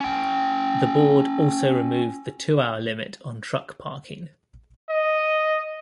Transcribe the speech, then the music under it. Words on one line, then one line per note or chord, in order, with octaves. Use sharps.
The Board also removed the two-hour limit on truck parking.
C#4 G5
D#5